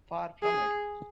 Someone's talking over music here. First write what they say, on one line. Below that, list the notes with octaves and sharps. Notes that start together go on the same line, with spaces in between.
Far from it.
G#4